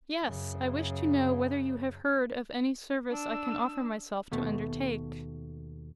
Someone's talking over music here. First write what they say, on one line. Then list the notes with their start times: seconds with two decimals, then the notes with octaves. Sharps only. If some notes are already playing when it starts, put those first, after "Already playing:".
"Yes; I wish to know whether you have heard of any service I can offer myself to undertake?"
0.23 F#2 C#3
3.11 D4 E6
4.32 D#2 B2 A3